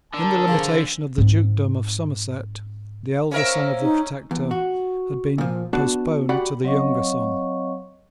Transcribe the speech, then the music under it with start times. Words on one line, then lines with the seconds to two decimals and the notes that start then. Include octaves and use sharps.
In the limitation of the dukedom of Somerset, the elder Son of the Protector had been postponed to the younger son.
0.14 D3 A#4 A5
0.47 C#3 F3
1.18 G#2 C4
3.31 C#4 A#4 C5 E5 F5
3.81 D#4
4.31 E2
4.51 F#4
5.38 A#2 F3
5.73 B3 D4 F#4 D5 A5
6.29 F#4 G4 D5 F#5 B5
6.64 F#3 C4 C#5 D#5 F5 C#6